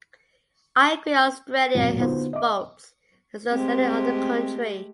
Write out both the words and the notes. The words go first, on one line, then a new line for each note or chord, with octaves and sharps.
I agree Australia has its faults, as does any other country.
D#1 G#1 F2 B2 F#3
D3 B3 D#4 F4 F#4 C5
D#5 E5 D6
G#3 A3 C4 G4